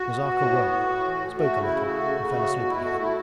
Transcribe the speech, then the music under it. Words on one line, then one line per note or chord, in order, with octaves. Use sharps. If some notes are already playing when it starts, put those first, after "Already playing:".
Nazarka awoke, spoke a little, and fell asleep again.
Already playing: F#4
B2
B2
A2
B3
A2
A2
E3
A2
A3 F#4
C#3
E4
C#3
A3 F#4
C#3
C#3
A3
B2
B2 E4
A3 F#4
A3 E4